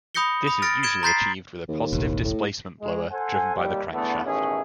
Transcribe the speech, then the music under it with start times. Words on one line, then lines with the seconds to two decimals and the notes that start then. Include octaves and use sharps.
This is usually achieved with a positive displacement blower driven by the crankshaft.
0.15 B5 D#6 G6 A#6 C#7 G7
0.47 B5 D#6
0.62 F6 A6 A#6 D7
0.83 G#6 D7 E7 G7
1.03 A#5 C6 G6 A6 B6 C7
1.68 D#2
1.93 E1 A1
2.24 A2
2.81 G#3
3.11 A4 C5 F#5 G#5
3.56 D#2 G3
3.93 E2 D3 E3 A3 B3
4.24 A1 B2 D#3 C#4 G#4 E5